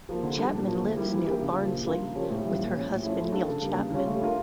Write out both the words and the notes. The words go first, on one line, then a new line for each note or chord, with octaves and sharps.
Chapman lives near Barnsley with her husband Neil Chapman.
F3 A#3
D3
G3 D4
A#2
F3 A#3
D3
G3 A#3 E4 G4
E3
A#3 D4 G4 A#4
C#3
F3 A#3
A#2
G3 D4 F4 A#4
C#3
F3 C#4 G4 A#4
A2
E3 G3 C#4 F4
A#2
F3 C#4
A2
F3 A3 C#4 E4
A3
D4 F4 A4
C#3
G3 A#3 D4
C#3
G3 C#4 F4
A3
D4 F4 A#4